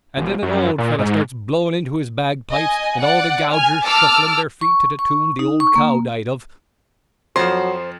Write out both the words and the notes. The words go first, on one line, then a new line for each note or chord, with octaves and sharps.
And then an old fellow starts blowing into his bagpipes and all the gougers shuffling their feet to the tune the old cow died of.
E1
F#2
A#2
G#2
D#5 G#5
D5 F#5
G#5 F6
A5 D6 E6 F6
C#6
C#6
D#4
C#6
A#3
F2 F3 F#3 C5 C6